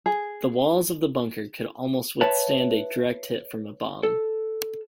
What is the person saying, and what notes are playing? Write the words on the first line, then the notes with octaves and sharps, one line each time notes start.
The walls of the bunker could almost withstand a direct hit from a bomb.
G#4
B4 C#5 E5 A5
A4